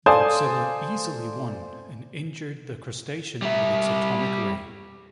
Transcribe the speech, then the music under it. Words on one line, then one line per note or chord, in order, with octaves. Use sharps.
Godzilla easily won and injured the crustacean with its atomic ray.
A4 C5 D5 F5 G#5 D#6
G3 E5